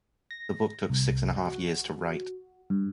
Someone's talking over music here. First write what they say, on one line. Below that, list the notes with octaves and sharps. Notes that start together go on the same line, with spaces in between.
The book took six and a half years to write.
A#6
C2
F#4
G2